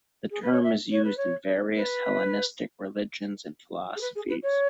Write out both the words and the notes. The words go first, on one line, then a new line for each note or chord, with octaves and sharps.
The term is used in various Hellenistic religions and philosophies.
G#4
B4
C#5
E5
C#5
B4
C#5
B4
G#4
B4
G#4
B4
C#5